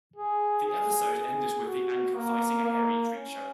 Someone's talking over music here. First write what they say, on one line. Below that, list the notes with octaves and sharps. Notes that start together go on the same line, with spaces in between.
The episode ended with the anchor fighting a hairy creature.
G#4
G#4
G#4
F#4
A#3
A#3
C#4